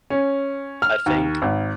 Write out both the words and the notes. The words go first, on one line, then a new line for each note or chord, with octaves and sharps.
I think
C#4
F6
D#2
G#1